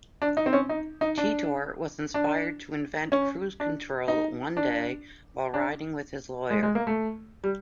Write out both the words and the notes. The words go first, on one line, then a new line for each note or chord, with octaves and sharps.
Teetor was inspired to invent cruise control one day while riding with his lawyer.
D4
D#4
C4
C#4
D#4
D#4
D4
D4
C#4
D4
D#4
D4
D4
G#3
G#3
A#3
A3
G3